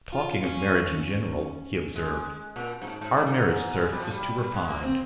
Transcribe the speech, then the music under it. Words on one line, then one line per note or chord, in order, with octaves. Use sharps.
Talking of marriage in general, he observed, 'Our marriage service is too refined.
F4
C#4
G#3
A#2
G2
G#2
G#2
G#2
G2
G#2
G#3
G3
F3
G3
G3
G#3
A#3
C4